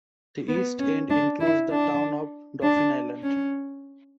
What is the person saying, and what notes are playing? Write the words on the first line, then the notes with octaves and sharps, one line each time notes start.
The east end includes the town of Dauphin Island.
B3
C#4
D4
E4
D4
D4
C#4